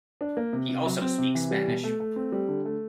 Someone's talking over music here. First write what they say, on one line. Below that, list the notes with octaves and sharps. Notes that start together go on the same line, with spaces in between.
He also speaks Spanish.
D4
A#3
C3
C3
F#3
C4
C3
E3
G3
B2
A3
A3
C4
G3
D3
A3